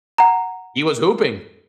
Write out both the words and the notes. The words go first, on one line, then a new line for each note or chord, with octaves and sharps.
He was hooping.
F#5 A#5